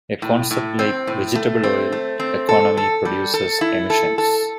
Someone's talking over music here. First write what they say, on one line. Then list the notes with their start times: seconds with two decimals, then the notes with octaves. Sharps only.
A concept like vegetable oil economy produces emissions.
0.22 A2
0.51 A2
0.79 C4
1.07 A2
1.36 A3
1.63 C4
1.92 A3
2.20 C4
2.49 A4
2.77 A4
3.05 G3
3.34 A4
3.61 E4
3.90 A4
4.18 A4